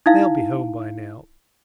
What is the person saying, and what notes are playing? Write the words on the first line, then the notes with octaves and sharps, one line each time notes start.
They'll be home by now.
D#4 E4 F5